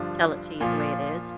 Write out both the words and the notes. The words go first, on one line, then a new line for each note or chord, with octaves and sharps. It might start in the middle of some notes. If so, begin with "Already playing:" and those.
tell it to you the way it is.
Already playing: G2 D3 F3 D4
A#2 F3